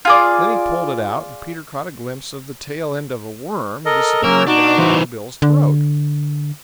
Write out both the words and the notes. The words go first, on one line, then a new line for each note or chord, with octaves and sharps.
Then he pulled it out and Peter caught a glimpse of the tail end of a worm disappearing down Longbill's throat.
F4 G#4 D5
A4 A#4 D#5
F#3 A#3 C#4 A#4 E6
D4 D#4 F#4 D6
E3 C5
D3